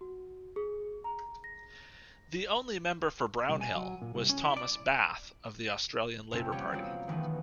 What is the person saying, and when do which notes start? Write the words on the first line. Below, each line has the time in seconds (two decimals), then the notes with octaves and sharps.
The only Member for Brown Hill was Thomas Bath of the Australian Labor Party.
0.01 F#4
0.56 G#4
1.04 A#5
1.44 A#6
3.49 C2
3.61 G#5
3.75 F#3
4.02 A#2
4.15 C2
4.29 C#4
4.44 E4
4.57 D5
6.31 F2 C3 C4 C#4 F4
6.52 G3 A#3 B3 G4 C#5
6.72 F#3 G#3 A#3 C4 F4 F#4
7.08 D#3 E3 A3 B3